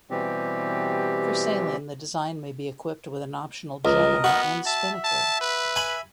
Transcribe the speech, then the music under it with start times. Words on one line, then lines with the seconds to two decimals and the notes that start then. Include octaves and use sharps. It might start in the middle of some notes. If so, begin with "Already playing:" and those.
For sailing the design may be equipped with an optional genoa and spinnaker.
0.10 B2 E3 G3 C4 G4
3.85 C#2 A#4 D#5
4.24 B3 F#4
4.66 E5 A5
5.04 A5
5.41 B4
5.76 G#5 B5